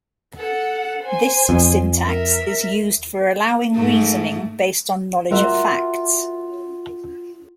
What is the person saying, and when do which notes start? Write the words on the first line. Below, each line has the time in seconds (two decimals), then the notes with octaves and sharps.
This syntax is used for allowing reasoning based on knowledge of facts.
0.37 A4 F#5
1.03 C5 G#5
1.49 F2
2.05 A#4 E5
3.75 G#2 A3
5.31 F4 F#4 A#4 E5